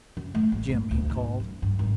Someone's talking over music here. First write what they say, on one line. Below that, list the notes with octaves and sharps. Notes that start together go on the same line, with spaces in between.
Jim!' he called.
F#2
A3
A1
G2
D2
G#2
F#2
G2
G#1